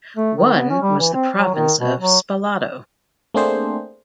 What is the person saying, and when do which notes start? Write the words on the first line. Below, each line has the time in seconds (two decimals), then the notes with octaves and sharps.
One was the province of Spalato.
0.17 A3
0.37 D#3
0.54 B3
0.70 C#4
0.82 G3
0.99 E3
1.13 C4
1.36 F#3
1.54 D#3
1.80 B2
2.00 F#3
3.34 A3 A#3 C4 D4 G#4 C5